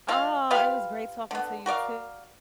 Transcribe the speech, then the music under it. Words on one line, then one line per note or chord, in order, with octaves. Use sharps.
Aw, it was great talking to you too.
G#3 F4 F5
F4 G4 B4 F5
D3 B3
F#4 A#4 D5 F5